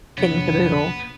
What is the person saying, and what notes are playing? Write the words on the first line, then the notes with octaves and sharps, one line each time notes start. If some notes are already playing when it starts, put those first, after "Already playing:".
kit and caboodle.
A#1 F2 C3 B3 C#5